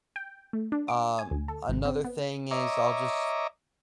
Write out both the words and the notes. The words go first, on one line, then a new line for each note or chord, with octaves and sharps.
Um, another thing is I'll just
G5
A3
D4
D6
G#5
D2
A4
G#1
C4
B3
C#5 D#5 E5 A#5 D6